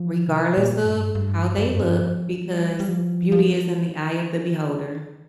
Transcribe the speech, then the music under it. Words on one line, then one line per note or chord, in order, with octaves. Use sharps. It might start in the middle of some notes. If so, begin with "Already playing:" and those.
Regardless of how they look because beauty is in the eye of the beholder,
Already playing: F3
C3
A#2
G2
G2
G2
F2
G2
F3
G3
G3
F3
F3